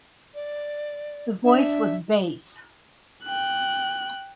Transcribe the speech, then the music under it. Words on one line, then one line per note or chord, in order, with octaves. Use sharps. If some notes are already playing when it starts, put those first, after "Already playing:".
The voice was bass.
D5
D4 E5
G5 F#6